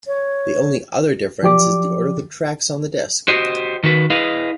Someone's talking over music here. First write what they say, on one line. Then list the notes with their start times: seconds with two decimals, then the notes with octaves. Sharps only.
The only other difference is the order of the tracks on the disc.
0.07 C#5
1.43 F3 F#3 G4 D5 D6
3.28 F#4 G4 C5 D#5
3.83 D#3 F#4 B4
4.10 E4 G#4 B4 D#5 F5